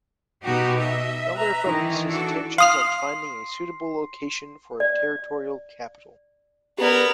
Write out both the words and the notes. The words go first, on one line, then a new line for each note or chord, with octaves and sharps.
Miller focused his attentions on finding a suitable location for a territorial capital.
B2 D#4 F#4 G4
D#5 E5
B4 A#5
D#3 E3
D4 F#4 A4
F5 C6 D#6 F6 C7
D5
B3 G4 A#4 D5